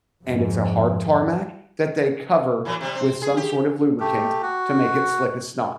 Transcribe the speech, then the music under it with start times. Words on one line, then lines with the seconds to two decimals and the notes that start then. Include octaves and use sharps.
and it's a hard tarmac that they cover with some sort of lubricant to make it slick as snot.
0.24 F2 G#2
2.65 A2 E3 F#3
2.81 C3 G3
2.96 C4
3.22 G#4
3.37 G4
4.00 A3 G4
4.42 F#4